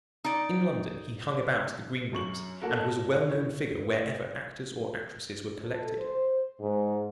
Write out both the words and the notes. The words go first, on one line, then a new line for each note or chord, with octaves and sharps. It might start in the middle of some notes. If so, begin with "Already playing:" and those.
In London he hung about the green-rooms, and was a well-known figure wherever actors or actresses were collected.
D#4 D5
F#2 C#6 F#7
A#3 F#4 A4 A#4
D#5 A5
E4 C#5
A4
C5
G#2